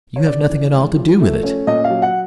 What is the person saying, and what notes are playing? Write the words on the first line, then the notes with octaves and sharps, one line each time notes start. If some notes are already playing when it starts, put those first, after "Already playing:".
"You have nothing at all to do with it."
C#5
C#3 D5
E3
G#3
F3
A3
C#4
A#2 D#5
F5
F#3
F#5